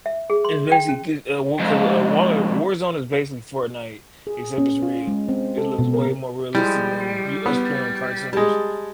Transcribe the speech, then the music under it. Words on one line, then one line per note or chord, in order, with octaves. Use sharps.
It's basically g uh, well, 'cause, uh, War Warzone is basically Fortnite, except it's real. It looks way more realistic than you us playing on cartoons,
E5
G#4
C6
G5
C#4
F2 G#2
G#4
C#4
F4
G#3
C4
A4
B2
A#4
F3 G3 G#3 E4
B3
G3 G#3 A5